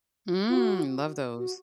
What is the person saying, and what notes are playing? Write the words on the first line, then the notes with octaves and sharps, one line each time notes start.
Mm, love those.
F4
F#4
F#4